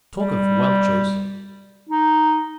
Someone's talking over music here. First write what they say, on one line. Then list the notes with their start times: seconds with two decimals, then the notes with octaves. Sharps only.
Talk of welchers!
0.16 G3
1.89 D#4